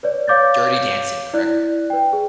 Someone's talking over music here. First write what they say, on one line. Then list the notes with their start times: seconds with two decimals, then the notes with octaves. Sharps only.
Dirty Dancing, correct?
0.03 B4 C#5 D5
0.28 C#5 F5 D6 G6 A6
1.34 E4 D5 F#6
1.90 B4 G5
2.13 G#4